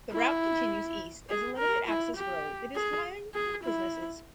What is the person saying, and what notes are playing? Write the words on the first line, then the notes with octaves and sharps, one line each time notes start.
The route continues east as a limited access road that is lined with businesses.
E4
G#4
A#4
E4
G4
G#4
G#4
E4